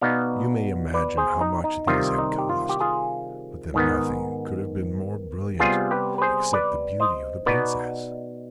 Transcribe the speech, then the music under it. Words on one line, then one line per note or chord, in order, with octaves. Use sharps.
You may imagine how much these had cost; but then nothing could have been more brilliant, except the beauty of the Princess!
B2 B3 D#4 D5 F5
B4 D5
G#4 C5
D#4
D#4
C3 D#3 G3 F4
D#4
G4
F4
G4
F4 G#4
G#2 D#3 B3
C3 G3 B3 F4 G#4
G4 B4
B4
G#4 C5
B4 D5
C5 D#5
B2 B3 D#4 B4 D5